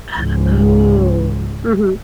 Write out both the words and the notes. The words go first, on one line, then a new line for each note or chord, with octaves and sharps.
Oh. Mhm.
C#2 G#2